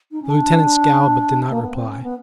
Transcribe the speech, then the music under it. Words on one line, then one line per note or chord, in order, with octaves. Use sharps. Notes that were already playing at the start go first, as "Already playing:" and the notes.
The Lieutenant scowled, but did not reply.
D#4
C#4
D4
A#3
B3
C4
C#4
B3